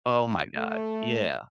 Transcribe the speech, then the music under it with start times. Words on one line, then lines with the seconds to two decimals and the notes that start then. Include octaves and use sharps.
oh my god. Yeah.
0.56 A3